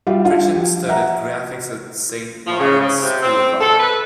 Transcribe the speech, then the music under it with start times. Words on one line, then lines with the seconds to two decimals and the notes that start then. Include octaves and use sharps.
Pritchett studied graphics at Saint Martin's School of Art.
0.07 G3 F4 G4 E5
0.25 D4 F4
0.55 F3 G4
0.88 E5 F#5 A#5
2.46 F3
2.59 C#3
2.81 C#3
3.02 C3
3.22 C4
3.61 A4
3.80 B4